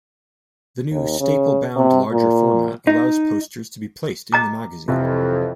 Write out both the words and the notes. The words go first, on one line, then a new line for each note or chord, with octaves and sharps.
The new staple bound larger format allows posters to be placed in the magazine.
D#2
C#3
C3
A#2
D#4
D#5 A#5 D6
F2 C3 E3